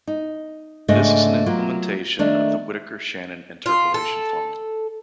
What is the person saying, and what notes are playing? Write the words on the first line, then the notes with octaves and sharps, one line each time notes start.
This is an implementation of the Whittaker-Shannon interpolation formula.
D#4
G#2 C#3 A3 D4 C5 D#5
F#3 A#3 F4
D#3 A3 A#3 D4
F4
A4